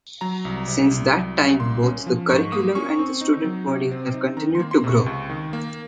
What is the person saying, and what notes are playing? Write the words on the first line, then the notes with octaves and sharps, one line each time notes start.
Since that time, both the curriculum and the student body have continued to grow.
F#3 A#5
C2
C3
C2
F#3
C2
A#3 C6
C#4
F3
G#2 C#6
A#3 D#6
C#4 C#6
C4
D#4
F#3
C3
C4
D#4
D#3 A#5
C6
A#3
C6
C3
C#6
C#2
D#3
A#3